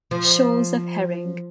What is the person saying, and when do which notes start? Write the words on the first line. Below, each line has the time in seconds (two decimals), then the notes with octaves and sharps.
'Shoals of Herring'.
0.11 F3